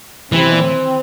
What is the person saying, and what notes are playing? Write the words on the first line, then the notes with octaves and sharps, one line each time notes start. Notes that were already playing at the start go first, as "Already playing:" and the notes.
you know,
E3 C4